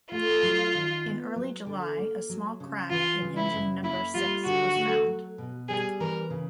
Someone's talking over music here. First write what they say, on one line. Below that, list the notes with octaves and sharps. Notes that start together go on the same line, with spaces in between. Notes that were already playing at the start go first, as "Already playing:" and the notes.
In early July, a small crack in engine number six was found.
A3 F4
F#3
D#3
B3
F#3
D3
A#3
F#3
C#3
E3 F4
C#3
E4
F#2
A#3 E4
G3 F4
D3 F#4
A3
F#3
B2
G3 G#4
E3 A#4
C#3